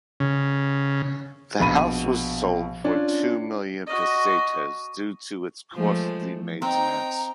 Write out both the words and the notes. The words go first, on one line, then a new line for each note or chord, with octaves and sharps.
The house was sold for two million pesetas due to its costly maintenance.
C#3
A#1 B2 B5 D#7
C#4 D4 F4
F#4 D#5
F3 G#3 A3
C4 D#4 G5 A#5